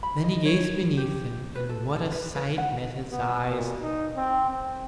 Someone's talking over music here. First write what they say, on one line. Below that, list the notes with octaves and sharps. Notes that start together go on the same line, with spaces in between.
Then he gazed beneath him, and what a sight met his eyes!
B5
D#5
C#5
G4
B4
A4
A4
B4
B4
F#5
B3
A#2
D#4
C4
C4